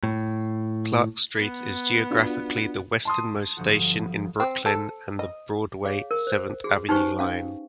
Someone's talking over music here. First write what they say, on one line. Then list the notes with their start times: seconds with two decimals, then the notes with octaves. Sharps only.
Clark Street is geographically the westernmost station in Brooklyn on the Broadway-Seventh Avenue Line.
0.04 A2
1.38 B3
2.11 D4 F4 F#4
3.05 A5 C6 D#6
3.57 G1 F3 F#4
4.40 C4
4.66 A4
5.19 D#5
5.85 G#4 C#5 F5
6.11 A#4
6.27 C5
6.64 F#4 G#4
6.89 D#4 G4 B4 C5 G#5 C#6
7.19 C#4 F5